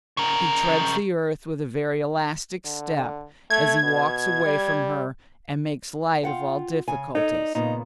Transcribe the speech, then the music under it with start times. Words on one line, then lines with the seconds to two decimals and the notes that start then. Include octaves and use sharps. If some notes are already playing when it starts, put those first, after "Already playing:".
He treads the earth with a very elastic step as he walks away from her, and makes light of all difficulties.
0.17 C#3 A#4
2.65 D3
3.50 A3 G#6
3.83 B2
4.45 G3
6.23 F4 F#5 G5
6.88 C#3 G#5
7.15 D#4 A4 C#5 D#5
7.35 D5
7.55 A#2 C#3 B3 D#4